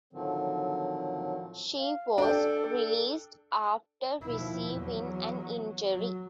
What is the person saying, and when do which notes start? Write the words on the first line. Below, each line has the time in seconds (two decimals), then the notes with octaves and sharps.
She was released after receiving an injury.
0.13 A2 D3 D#3 F3 F#3 C4
1.79 F5
2.18 D4 A4 G5
4.21 D#2 B2 F3 E4
4.72 E2 F#3
5.93 F#3